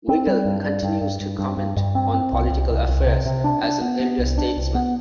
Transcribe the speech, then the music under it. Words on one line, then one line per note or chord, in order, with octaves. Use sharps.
Wiegel continues to comment on political affairs as an elder statesman.
C4
G3
G2
G3
G2
G2
G2
G2
G2
G2
C4
C4
C2
C2
C2
C2
C3
C3
D4
D4
B3
B3
C2
D4
C2
B3